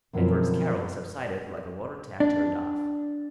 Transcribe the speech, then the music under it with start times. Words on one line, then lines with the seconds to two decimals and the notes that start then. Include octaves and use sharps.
Edward's carol subsided like a water-tap turned off.
0.13 F#2 B2 D3 F3 C4 E4
2.20 D4